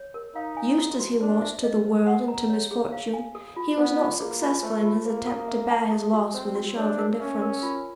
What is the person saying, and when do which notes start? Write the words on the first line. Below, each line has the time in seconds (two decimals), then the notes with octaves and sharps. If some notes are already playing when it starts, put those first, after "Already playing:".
Used as he was to the world and to misfortune, he was not successful in his attempt to bear his loss with a show of indifference.
Already playing: C#5
0.14 A#4
0.35 D#4 F5
0.57 G#5
0.78 A4
1.00 F#4
1.21 D4 C5
1.42 E5
1.63 D#5
1.85 C5
2.07 F#5
2.28 A#5
2.49 C#5
2.71 G#4
2.92 F5
3.13 G#5
3.35 A4
3.56 F4
3.77 B3 C5
3.99 F4
4.20 A#3 G#4
4.42 F4
4.63 A3 C5
4.85 F4
5.05 A#3 C5
5.27 A4
5.48 E5
5.70 A5
5.92 A4
6.13 F#4
6.34 C4 C5
6.55 F#4
6.77 D4 C#5
6.98 A#4
7.20 C#4 E5
7.41 A#4
7.63 F4